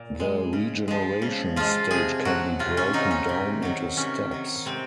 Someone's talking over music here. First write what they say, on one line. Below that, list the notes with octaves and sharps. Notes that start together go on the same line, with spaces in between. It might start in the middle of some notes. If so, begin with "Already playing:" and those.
The regeneration stage can be broken down into steps.
Already playing: A#2
G#3
C#3
F3 G#3
C#3
F3 G#3 F4
C3 G#4
F#3 F#4
C3 F4
C#4
F#3 D#4
C#4
C3
D#3 F#3
C3 C#4
D#3 F#3
C3 C4